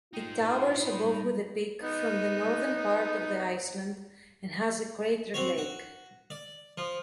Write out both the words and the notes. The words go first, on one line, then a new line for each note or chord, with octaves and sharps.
It towers above with a peak from the northern part of the island and has a crater lake.
D#4 F4 C5 G5
B5 C6
G3
B3 D#4
C4 F#4 C#5
F#4
D5
F3